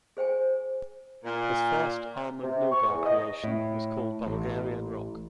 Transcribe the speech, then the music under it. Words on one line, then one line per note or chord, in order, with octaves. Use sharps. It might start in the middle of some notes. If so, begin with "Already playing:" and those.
His first almond noughat creation was called Bulgarian Rock.
G#4 C5 G5 G#5
A#2
C3
C#6
E2
D#5
A2
A1